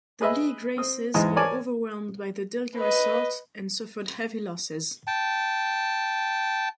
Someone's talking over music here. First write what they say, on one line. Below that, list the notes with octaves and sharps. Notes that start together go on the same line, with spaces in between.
The League races were overwhelmed by the Dilgar assault and suffered heavy losses.
G#4 B4 D#5 E5 B5
C4 D#6
E2 G#2 G#3 D#5 G#5
A#4 C#5 D5 G#5 A5
B4 D#5
G5 A5